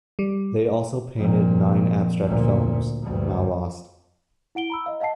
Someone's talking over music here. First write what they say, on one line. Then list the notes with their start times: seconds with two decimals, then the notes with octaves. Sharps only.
They also painted nine abstract films, now lost.
0.19 G3
1.16 F2 A#2
2.25 D2 A#2
3.03 D2 G2
4.55 E4 F#5 D7 G7
4.70 A#5 B5 E6
4.86 D#5 F5
5.00 D#5 F5 F#5 A5 C7